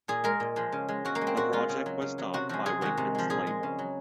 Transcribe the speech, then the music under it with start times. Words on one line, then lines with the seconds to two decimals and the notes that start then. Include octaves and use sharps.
The project was stopped by Wakeman's label.
0.08 A#2 G#4
0.24 G#3 A#4
0.40 A#2
0.56 F3 G#3
0.72 C#3
0.88 G#3
1.05 C#3 F#4
1.15 A#3
1.21 G#3
1.27 C4
1.36 A#2 F#4
1.53 G#3 F4
1.69 C#3
1.86 F#3
2.02 C#3
2.18 F#3
2.34 C3 F#4
2.49 F3 G#3 F#4
2.66 C3 G#4
2.81 D#3 G#3 F#4
2.97 C3
3.15 F3 G#3
3.30 A#2 G#4
3.47 G#3
3.63 C#3
3.79 F#3